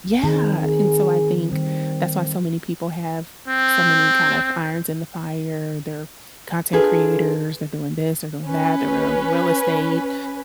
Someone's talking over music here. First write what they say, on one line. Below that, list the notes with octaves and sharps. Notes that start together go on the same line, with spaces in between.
yeah, and so I think that's why so many people have so many, kind of, irons in the fire, they're content creators, they're doing this, they're doing that, they're in real estate,
D#3 C4 D#4 G#4
G#4
D#3 G3 C4
C4
D4 F4 G#4 A4 B4
C#4 B4